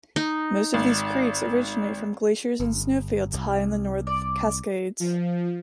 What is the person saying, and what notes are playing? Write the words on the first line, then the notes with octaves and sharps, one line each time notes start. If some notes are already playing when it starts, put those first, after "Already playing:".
Most of these creeks originate from glaciers and snowfields high in the North Cascades.
D#4
G#1
G1
C2
D5
F3